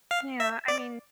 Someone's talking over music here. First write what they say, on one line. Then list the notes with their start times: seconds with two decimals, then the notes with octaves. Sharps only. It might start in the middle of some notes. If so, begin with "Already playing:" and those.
Yeah, I mean
0.11 F5
0.40 E5
0.68 D5